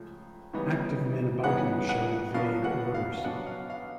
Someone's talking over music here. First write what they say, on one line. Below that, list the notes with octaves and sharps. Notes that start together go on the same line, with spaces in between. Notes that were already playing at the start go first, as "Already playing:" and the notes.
Active men about him shouted vague orders.
Already playing: C#2 C#3 F3 A3
C#3 E3 G3 B3 D#4
C#3 E3 G3 B3 D#4 F#5
F#5
B2 F#3 B3 D4 F5
F#5
F5
F5
B2 F#3 B3 D4 F#5
F5
F5